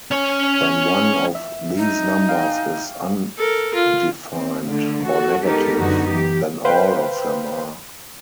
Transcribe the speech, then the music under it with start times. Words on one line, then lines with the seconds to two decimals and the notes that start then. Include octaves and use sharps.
When one of these numbers is undefined or negative, then all of them are.
0.11 C#4 C#5
1.35 E5
1.77 D#4
2.29 F5 G5 G#5
3.37 A4 A#4
3.74 F4
4.31 C4
4.66 D3 A3
5.02 F#4 A4
5.44 G#3 B3 D#4 G4 A4 A#4
5.78 F#2 D3 B3 D#4 F#4
6.08 E3 G4
6.65 B4 C5 F5 G5